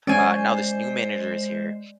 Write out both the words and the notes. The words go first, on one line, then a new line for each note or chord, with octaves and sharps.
uh, now this new manager is here,
G#3 C#4 C5 D5 G#5